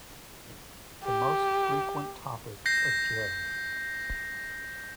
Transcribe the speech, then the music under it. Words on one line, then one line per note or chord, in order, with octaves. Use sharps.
The most frequent topics of J.
G4
G6 A#6 C7